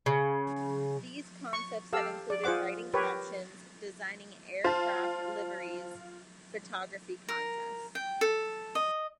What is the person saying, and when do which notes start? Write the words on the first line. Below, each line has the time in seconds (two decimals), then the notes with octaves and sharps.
These contests have included writing captions, designing aircraft liveries, photography contests.
0.06 C#3
1.53 C#6
1.93 G4 A4 F5 E6
2.30 D5
2.44 F4 G#4 C5 F#5 D6
2.94 G4 A#4 B4 C#5
4.64 F4 C5 A5
7.29 A#4
7.95 G5
8.21 A4
8.75 D#5